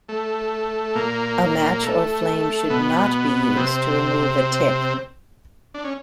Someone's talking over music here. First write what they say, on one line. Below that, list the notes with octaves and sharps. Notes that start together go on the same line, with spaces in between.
A match or flame should not be used to remove a tick.
A3
A#2 A#3
A3
B2 B3
C3 C4
D4
C#4